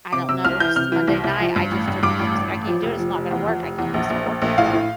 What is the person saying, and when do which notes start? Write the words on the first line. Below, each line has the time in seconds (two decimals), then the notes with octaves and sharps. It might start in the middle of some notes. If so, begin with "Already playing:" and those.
I don't know. S Monday night, I just told my husband, was, like, "I can't do this, it's not gonna work, I can't start work there," like
0.13 C3 D6
0.29 C3 E6
0.45 C2 F6
0.60 E3 G6
0.76 C3 F6
0.92 E3
1.08 C2
1.24 C2
1.40 F3
1.56 G2
1.71 A1
1.88 G2
2.03 G2 D6
2.19 A1
2.35 G2
2.51 A1
2.67 F3
2.83 F1
2.99 F3
3.15 F1
3.31 E2
3.46 F3
3.63 F1
3.78 E2
3.94 A#1
4.10 A#1
4.26 A#1
4.42 A#1
4.58 A2 F5
4.73 A2